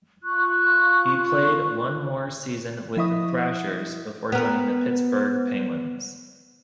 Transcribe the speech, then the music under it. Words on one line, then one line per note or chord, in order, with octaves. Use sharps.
He played one more season with the Thrashers before joining the Pittsburgh Penguins.
F4 C#6 F#6
F3 E4 D#5 E5 C#6 D#6
B3 A#4